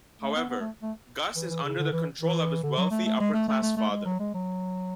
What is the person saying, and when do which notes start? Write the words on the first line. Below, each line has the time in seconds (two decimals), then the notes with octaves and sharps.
However, Gus is under the control of his wealthy, upper-class father.
0.22 A3
0.36 B3
0.50 B3
0.60 A3
0.82 A3
1.36 E3
1.50 E3
1.63 C#3
1.78 D3
1.92 E3
2.21 E3
2.63 D3
2.77 F#3
2.91 A3
3.06 A3
3.20 G#3
3.34 A3
3.48 A3
3.63 A3
3.77 A3
3.90 G#3
4.05 F#3
4.19 G#3
4.34 F#3